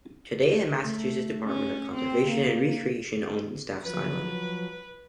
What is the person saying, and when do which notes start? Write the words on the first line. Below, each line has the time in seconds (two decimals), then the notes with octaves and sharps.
Today the Massachusetts Department of Conservation and Recreation owns and staffs the island.
0.81 A3
1.45 C#4
1.95 C4
2.28 A#3
3.83 F3 F#3 B4